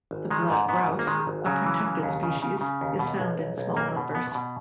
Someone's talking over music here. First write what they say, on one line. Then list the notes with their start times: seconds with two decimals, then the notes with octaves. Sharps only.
The black grouse, a protected species, is found in small numbers.
0.11 G#1
0.30 D#3 G#3
0.50 G#2
0.69 G#2 B3
0.89 G#1
0.99 A#3
1.07 D#3 G#3
1.27 G#1
1.46 C#3 F#3
1.65 E3
1.84 C#3
2.03 D#2
2.23 C#3
2.42 C#3
2.61 C#3
2.81 D#2
2.99 B2
3.20 B1
3.39 B1
3.58 B1
3.77 B1 A#3
3.97 B2
4.15 B2 B3
4.35 B2